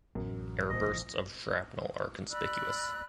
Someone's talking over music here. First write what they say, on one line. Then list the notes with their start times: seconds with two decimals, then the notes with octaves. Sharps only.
Air-bursts of shrapnel are conspicuous.
0.15 A1 F#2
0.69 C2 A#2 F3 D#5
2.30 D5 B5 E6 F#6